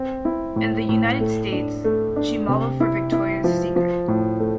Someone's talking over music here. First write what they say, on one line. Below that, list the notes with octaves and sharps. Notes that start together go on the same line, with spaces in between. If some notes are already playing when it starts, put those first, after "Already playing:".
In the United States, she modeled for Victoria's Secret.
Already playing: C4
E4
A2
A2
A3
D4
A3
D4
C3
E4
E4
F3
F3
A2
A3